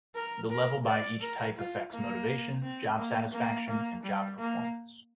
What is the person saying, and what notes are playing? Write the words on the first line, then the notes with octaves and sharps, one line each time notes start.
The level by each type affects motivation, job satisfaction, and job performance.
A#4
A#4
D5
A#4
F4
A#3
C4
A#3
A#3
A#3
G3
A#3